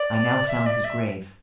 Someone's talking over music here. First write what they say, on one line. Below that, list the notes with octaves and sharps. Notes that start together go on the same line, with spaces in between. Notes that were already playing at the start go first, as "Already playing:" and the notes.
I now found his grave.
Already playing: D5
E5
D5
E5